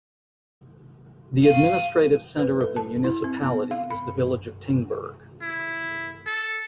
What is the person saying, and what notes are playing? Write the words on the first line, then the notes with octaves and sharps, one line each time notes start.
The administrative centre of the municipality is the village of Tingberg.
F5 D#7
B4
A4
A5
E4
C4
B3
F5
B5
E4
A4